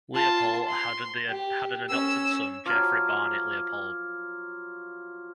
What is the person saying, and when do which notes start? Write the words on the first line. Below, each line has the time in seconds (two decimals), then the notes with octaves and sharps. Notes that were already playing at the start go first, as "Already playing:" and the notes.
Leipoldt had an adopted son, Jeffery Barnet Leipoldt.
0.14 F4 A5
0.67 C6
1.28 G4
1.89 C#4 E6
2.66 F3 F#3 D6 F6 G#6